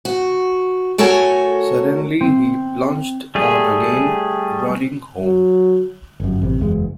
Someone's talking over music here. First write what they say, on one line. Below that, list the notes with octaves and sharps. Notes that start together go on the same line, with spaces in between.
Suddenly he plunged on again, running home.
F#4
A3 F#4 A4 A#4 C#5 G#5
C4
G3 A3 G#4
F#3
G1 F#2
A1 C3
F#1 E2 G#3